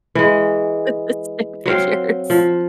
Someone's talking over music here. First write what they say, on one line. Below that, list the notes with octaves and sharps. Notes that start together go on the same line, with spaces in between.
with the stick figures.
E3 G#3
F#3 C4 F5 G5
F3